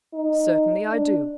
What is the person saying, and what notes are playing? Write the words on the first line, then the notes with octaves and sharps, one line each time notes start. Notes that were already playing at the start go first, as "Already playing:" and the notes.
"Certainly I do."
D#4
D4